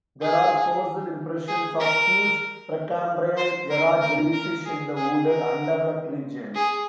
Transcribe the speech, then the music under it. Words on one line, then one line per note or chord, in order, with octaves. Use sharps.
There are fossil impressions of huge Precambrian Era jellyfish in the wooded, undeveloped regions.
G#4
G#4
A#4
C5
A#4
A#4
A#4
G#4
G#4
A#4
G#4